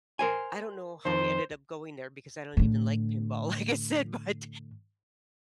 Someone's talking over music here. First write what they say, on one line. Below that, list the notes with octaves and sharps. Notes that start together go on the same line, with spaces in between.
I don't know how we ended up going there because "I don't even like pinball," like I said, but,
A#4 C5 G#5
F2 D#3 C5
A2 D3